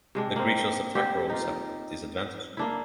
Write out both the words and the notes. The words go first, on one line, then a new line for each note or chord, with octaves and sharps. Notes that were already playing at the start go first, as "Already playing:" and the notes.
The creature’s attack rolls have disadvantage.
C3 G#3 D4
A#3 C4
C4 G4
D#4 F4
A#3 D4 E4